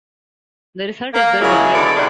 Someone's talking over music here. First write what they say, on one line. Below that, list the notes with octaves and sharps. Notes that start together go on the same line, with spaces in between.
The result is the "difference".
A#3
C#3 F#3 G#3 E4 G#4
D3 B3 E4 D5
C3 D4 D#4 A#4 F#5